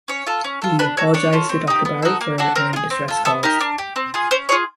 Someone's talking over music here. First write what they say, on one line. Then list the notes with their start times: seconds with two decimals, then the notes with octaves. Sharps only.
We apologise to Doctor Bari for any distress caused.
0.08 C#4 C#5
0.27 F4 A4
0.44 C#4
0.62 F4 A4
0.79 D4 B4
0.97 F#4 A4 C#5
1.14 D4 C#5
1.33 F4 A4
1.49 C4
1.67 D#4 G4
1.85 B3
2.02 D#4 F#4 A4
2.21 A#3
2.38 D4 F#4 A4
2.55 C4 A#4
2.73 F4
2.76 G#4
2.90 C4
3.08 F4 A4
3.25 B3 A4
3.43 D#4 G4 A#4
3.60 D4
3.78 G4
3.96 C4
4.14 F4 G#4
4.31 C#4 C5
4.49 F4 G#4 C#5